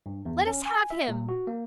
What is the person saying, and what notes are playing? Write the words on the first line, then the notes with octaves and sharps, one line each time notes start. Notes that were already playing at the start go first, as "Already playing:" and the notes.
Let us have him!'
G2
E2
C#4
G#5
E5
A#2
F#4
A#3